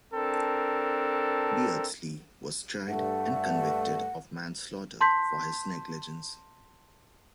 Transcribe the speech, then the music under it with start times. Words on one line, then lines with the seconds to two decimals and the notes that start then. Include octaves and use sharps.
Beardsley was tried and convicted of manslaughter for his negligence.
0.14 C4 D4 A4 A#4
2.88 G2 A3 F#5
5.01 A5 C6 G6 B6